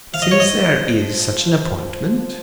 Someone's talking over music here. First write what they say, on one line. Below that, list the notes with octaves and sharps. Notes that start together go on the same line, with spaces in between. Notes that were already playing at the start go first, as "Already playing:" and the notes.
"Since there is such an appointment."
F3 F5
D#5
C#5
D#5